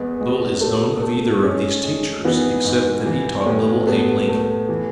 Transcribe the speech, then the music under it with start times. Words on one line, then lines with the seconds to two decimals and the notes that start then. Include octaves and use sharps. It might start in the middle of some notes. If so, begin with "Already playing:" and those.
Little is known of either of these teachers except that he taught little Abe Lincoln.
Already playing: E2 G#3 B3
0.21 G#3
0.61 A3
1.02 A3
1.43 G#3 C#4
1.84 G#3
2.25 E3 B3 D#4
2.65 G#2
3.06 E3
3.46 A2
3.87 A3 B3
4.28 A3
4.69 E3